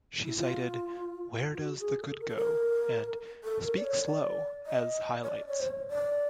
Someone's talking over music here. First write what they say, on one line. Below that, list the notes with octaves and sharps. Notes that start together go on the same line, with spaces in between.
She cited "Where Does the Good Go" and "Speak Slow" as highlights.
E4
F4
F4
F#4
G#4
A4
A#4
A4
A#4
A4
A#4
D5
C#5
D5
D#5
C#5
D5
C#5
C5
C#5
D5